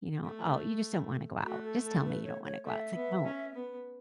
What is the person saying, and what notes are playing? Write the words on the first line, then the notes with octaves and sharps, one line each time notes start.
you know, "Oh, you just don't wanna go out. Just tell me you don't wanna go out." It's like, "No"
A3
A3 F#4
A4
A4
B4
C#5
C#5
A3 E5
B3
C#4
B3